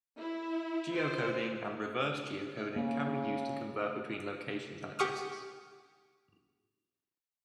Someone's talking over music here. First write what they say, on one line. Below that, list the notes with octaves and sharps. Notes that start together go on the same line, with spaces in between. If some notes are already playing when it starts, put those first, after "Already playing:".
Geocoding and reverse geocoding can be used to convert between locations and addresses.
E4
C5
C#3 A#3
G4 F#5 C#6 D#6 F6